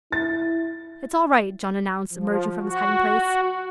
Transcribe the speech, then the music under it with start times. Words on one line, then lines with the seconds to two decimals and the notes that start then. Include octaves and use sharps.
"It's all right," John announced, emerging from his hiding-place.
0.12 E4 A6
2.13 F3
2.62 F#4